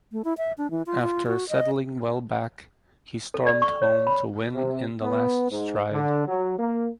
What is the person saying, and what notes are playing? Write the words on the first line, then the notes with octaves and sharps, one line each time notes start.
After settling well back he stormed home to win in the last stride.
A3
E4
E5
D4
E3
F4
F4
F#4
D#5
A4
D5
C#6
C#5
B5
C3
B3
G#2
D3
F#3
A#3